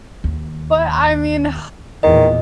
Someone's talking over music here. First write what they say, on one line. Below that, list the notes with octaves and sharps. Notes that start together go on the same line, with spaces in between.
But I mean, h
D#2
E2 A#2 D#3 D#5